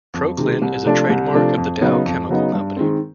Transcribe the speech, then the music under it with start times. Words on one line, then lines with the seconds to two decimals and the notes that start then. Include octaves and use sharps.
ProClin is a trademark of The Dow Chemical Company.
0.14 F2
0.37 C3 D#3 G#3
0.62 C2
0.85 C3 F3 A3 D4
1.09 C2
1.33 C3 F3 A3 D4
1.57 F2
1.81 C#3 F#3 B3 D#4
2.05 F2
2.29 C#3 F#3 B3 D#4
2.53 G2
2.77 D#3 G#3 C4